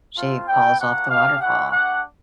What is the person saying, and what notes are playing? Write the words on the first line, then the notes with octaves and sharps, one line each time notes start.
she falls off the waterfall.
A3 C4 F4
G3 B3 E4 G5
G3 A#3 D4 F#4 F#5
A3 D4 G4 F5
G#3 C#4 E4 F#5
A3 D4 G4 F#5